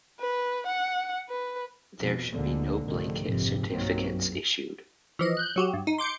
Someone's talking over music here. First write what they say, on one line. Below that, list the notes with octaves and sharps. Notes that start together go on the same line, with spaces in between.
There should be no blanket certificates issued.
B4
F#5
B4
F2 B2
D2 B2 D3 G#3 A#3
C2 F2 G#2 D3 D#3 A3
F1 A#1 F2 G#2 C3
B1 G2 D#3 F#3 A#3 C4
F#2
E3 F3 D#5
F#6 G6
F#3 F#4 G4
G2
D#4
C6 D6 G6 C#7